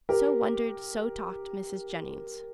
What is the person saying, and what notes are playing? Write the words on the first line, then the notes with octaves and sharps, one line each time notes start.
So wondered, so talked Mrs. Jennings.
G4 A#4